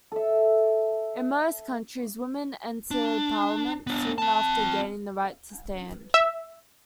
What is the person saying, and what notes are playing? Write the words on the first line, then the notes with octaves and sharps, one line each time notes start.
In most countries, women entered parliament soon after gaining the right to stand.
A4 E5
D4
B3 D4
C4 A5
E5